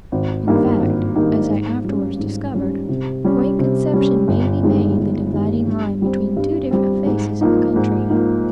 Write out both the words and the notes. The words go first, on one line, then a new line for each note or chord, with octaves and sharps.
In fact, as I afterwards discovered, Point Conception may be made the dividing line between two different faces of the country.
G#1
G2 D#3 A#3 D#4
G#1
G2 D#3 A#3 D#4
G#2
G3 C#4
G#2
G3 C#4
C3
G3 C#4
C3
G3 C#4
G1
G2 D#3 G#3
G1
G2 D#3 G#3
G2
G3 C4
G2
G3 C4
G#2
F3 A#3 D#4
G#2
F3 A#3 D#4